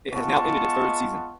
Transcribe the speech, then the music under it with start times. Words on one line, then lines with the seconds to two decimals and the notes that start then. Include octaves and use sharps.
It has now ended its third season.
0.12 G#3 B3 F4 D#5 A5 C#6